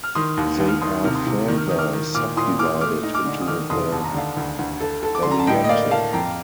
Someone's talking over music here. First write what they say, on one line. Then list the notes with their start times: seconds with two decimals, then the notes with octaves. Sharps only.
They are further subdivided into the Valiente.
0.04 F6
0.15 D#3 C6 D#6
0.37 D#2
0.60 D#2
0.69 F6
0.82 D#3 C6 D#6
1.04 C3 F6
1.15 C6 D#6
1.27 C3
1.48 D#3
1.58 F6
1.69 D#3 D#6
1.78 D6 F6
1.93 D#3
2.14 A#2 D6 F6
2.37 A#2 C6 D#6
2.59 A#2 D6 F6
2.81 A3 D6 F6
3.03 D#4
3.14 D6 F6
3.25 D3
3.41 D#6
3.47 D#3 D6 F6
3.70 F1 C6 D#6
3.92 D#2 A5
4.04 A#5
4.14 D3 F5 A5
4.37 D2
4.59 D2
4.81 A4
5.03 A4
5.15 D6
5.23 D3 C6
5.31 A#5
5.39 A5
5.47 A2 D#5 G5
5.64 D#5
5.69 A#3 D5 F5
5.91 A#3 F5 A5
6.13 F2 G5 A#5